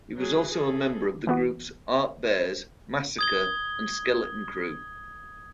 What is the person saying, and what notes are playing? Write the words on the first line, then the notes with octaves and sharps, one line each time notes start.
He was also a member of the groups Art Bears, Massacre, and Skeleton Crew.
F#3 G#4
G#4 A4
E3 B3 F#4
D#6 G#6 G7